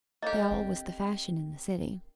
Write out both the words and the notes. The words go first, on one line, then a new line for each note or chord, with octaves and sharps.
They all was the fashion in the city.
A#3 G4 A4 C#5 D#5
C4 D4